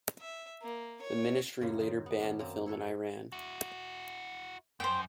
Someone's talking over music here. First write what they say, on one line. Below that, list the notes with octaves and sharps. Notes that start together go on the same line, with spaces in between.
The Ministry later banned the film in Iran.
E5
A#3
C#5
F#2 C#3 G#3 A#3 C#4 G#5
D#3 C5 D#5
B3
D#3 C#4 D4
F#2 A#3 C4 A5
E4 A4 B4 C#5
E4 F#4
F#2 C5 G5